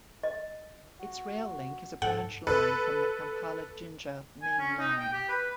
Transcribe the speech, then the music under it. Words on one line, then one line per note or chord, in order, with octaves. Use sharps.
Its rail link is a branch line from the Kampala-Jinja main line.
D#5
F#4
G#2 A4 F#5
A4 B4
G#5
C#4
D#4
G5
G4
B4